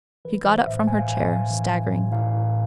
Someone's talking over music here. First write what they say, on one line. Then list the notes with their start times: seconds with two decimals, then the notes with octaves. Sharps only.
She got up from her chair, staggering.
0.25 E3 B4
0.46 E3 C5
0.66 A2 E5
0.87 A2 G#5
0.99 F5
1.09 E3 G#5
1.29 A2
1.50 E3
1.72 E3
1.92 A2
2.12 A2 F5
2.33 A2